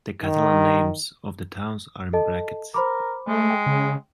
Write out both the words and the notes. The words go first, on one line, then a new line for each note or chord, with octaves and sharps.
The Catalan names of the towns are in brackets.
D#3
A4 D#5 A5
A#4 C5 B5 D6
G#3 A3
G5
C#3